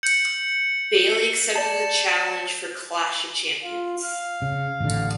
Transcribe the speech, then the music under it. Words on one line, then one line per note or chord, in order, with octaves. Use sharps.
Bayley accepted the challenge for Clash of Champions.
G6 C#7 F#7
D5 A5 A6 E7
F4
F5
C#3
A1 D3